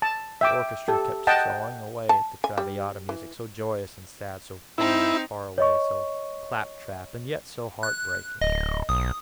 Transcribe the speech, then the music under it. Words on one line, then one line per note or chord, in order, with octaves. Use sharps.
The orchestra kept sawing away at the "Traviata" music, so joyous and sad, so thin and far-away, so clap-trap and yet so heart-breaking.
A5
E5 G5 D6
G4 A4
D#5 F#5 G5 A5
A5
G#5
G3
E3
C4 D#4 E4
C#5 D#5 C#6
F#6
D1 D#5
B1 D#6